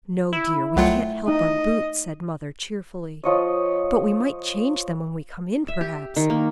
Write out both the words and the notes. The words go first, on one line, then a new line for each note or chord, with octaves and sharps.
'No, dear, we can't help our boots,' said mother, cheerfully, 'but we might change them when we come in, perhaps.
E4
C2 F#3 A3 F4 F#5 G5
D#4 D#5
F3 C#5 D#5
E5
G4
D#3
A#3